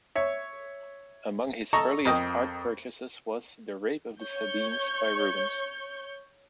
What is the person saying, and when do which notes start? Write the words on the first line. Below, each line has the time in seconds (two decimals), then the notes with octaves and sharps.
Among his earliest art purchases was "The Rape of the Sabines" by Rubens.
0.15 C#5 E5
1.73 A4 D#5 A#5 C#6
2.05 F2 A#4 D#5 G5 D#6
4.22 C#5 C#6 G6